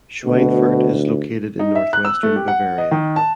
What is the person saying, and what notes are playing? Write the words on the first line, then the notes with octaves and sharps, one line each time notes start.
Schweinfurt is located in northwestern Bavaria.
D2 B2
D#4
E5
F#6
E6
A3
G4
F#5
D#5
D#3
A5